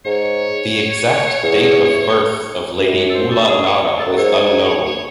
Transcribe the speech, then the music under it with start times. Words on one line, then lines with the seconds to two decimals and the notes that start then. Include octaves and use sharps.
The exact date of birth of Lady Ula Nara is unknown.
0.05 G#2 C#5
1.43 E2
2.79 F#2
2.97 C#5
3.09 A4
3.14 C5
3.31 A4
3.48 G#4
3.66 C#5
4.00 A4
4.07 F#2
4.18 G#2 C#5
4.86 C#5